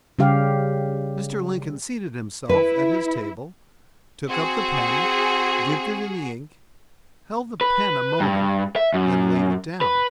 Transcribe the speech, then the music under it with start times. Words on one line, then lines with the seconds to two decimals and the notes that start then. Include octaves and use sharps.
Mr. Lincoln seated himself at his table, took up the pen, dipped it in the ink, held the pen a moment, then laid it down.
0.19 C#3 G3 G4 F5
2.49 E4 B4
4.29 C4 F#4 G#4
7.61 B4
8.20 G2
8.76 E5
8.94 F#2
9.81 B4